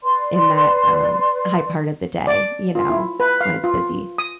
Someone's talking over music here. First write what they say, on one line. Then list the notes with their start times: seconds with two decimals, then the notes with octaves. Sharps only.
in that, um, high part of the day, you know, when it's busy.
0.02 B4 D5 C6
2.27 D5
2.75 F4
2.90 E4
3.20 B4
3.41 F5
3.64 F4
4.18 D#6